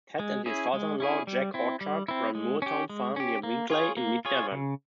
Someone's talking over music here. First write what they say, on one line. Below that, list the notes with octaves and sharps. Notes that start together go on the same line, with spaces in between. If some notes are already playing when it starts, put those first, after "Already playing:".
Ted and his father-in-law, Jack Orchard, ran Moortown farm near Winkleigh in Mid Devon.
G#3
C#4 E4 G#4
G#3
C#4 E4 G#4
G3
C4 E4
G3
C4 E4
G#3
C#4 G4
G#3
C#4 G4
A#3
F4 G#4 C#5
A#3
F4 G#4 C#5
C#3